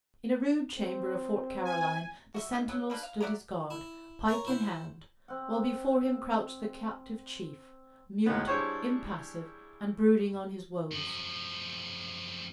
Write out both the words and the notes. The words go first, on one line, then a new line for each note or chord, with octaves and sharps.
In a rude chamber of Fort Caroline the sentinel stood his guard, pike in hand, while before him crouched the captive chief, mute, impassive, and brooding on his woes.
C4
G#5
F#4 E5
D#3 A#3
F#3
G3 A#3 D4 B4
F5
F#4 D5 E5 A#5
E4
A#4 C#5 A#5
E4 C5 F#5
C4 F#5
D2 A2 D#3 G#3 B3
G3 D4 E4 G#4 C5 C#5
F#2 F3